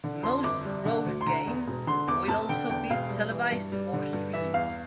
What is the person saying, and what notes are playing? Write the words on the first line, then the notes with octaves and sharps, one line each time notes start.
Most road game will also be televised or streamed.
D3
F2 C6
G1 D6
G3
D3
D2
C6
D3 A#5
E2
E1
D3 C6
E2 D6
F1 A5
D3 G5
E2 G5
E1 F5
G3
E3
G2
G3
D3
G2
E3 E5
E2 F5